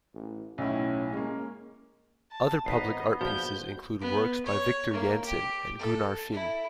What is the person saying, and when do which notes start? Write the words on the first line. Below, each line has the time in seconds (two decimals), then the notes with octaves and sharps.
Other public art pieces include works by Viktor Jansson and Gunnar Finne.
0.14 A1
0.58 B1 A2 C#4 E4
1.12 G#3 A#3 C#4
2.31 A5
2.66 G#1 B3 D#4 B6 C7
3.21 A#1 F3 F#4 C5 G6
4.01 B3
4.46 C#5
4.93 A#3
5.26 G4
5.79 A4
6.32 E4